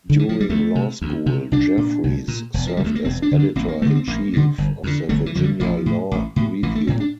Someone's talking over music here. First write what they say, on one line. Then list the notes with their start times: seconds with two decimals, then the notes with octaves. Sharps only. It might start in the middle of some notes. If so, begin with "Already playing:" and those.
During law school, Jeffries served as editor-in-chief of the Virginia Law Review.
0.10 D3
0.19 E3
0.29 F3
0.40 G3
0.49 D2 A3
0.75 C3
1.02 D2
1.26 C3
1.52 C2 D4
1.77 A#2
2.04 C2
2.28 A#2
2.54 E1
2.67 F3
2.77 D3 G3
2.84 D2 A3
2.95 A#3
3.05 E1 C4
3.22 D4
3.31 D2 D3
3.39 D4
3.56 A1 C4
3.68 A#3
3.81 G2 A3
3.85 D3
3.95 C4
4.07 A1 A#3
4.33 G2 D3
4.58 G1
4.83 F2 D3
5.09 G1 A3
5.26 E3
5.35 F2 D3 F3
5.44 G3
5.60 A1 F3
5.86 A2
6.11 A1
6.36 A2
6.63 A1 E3
6.75 A3
6.87 A2 C4
7.00 D4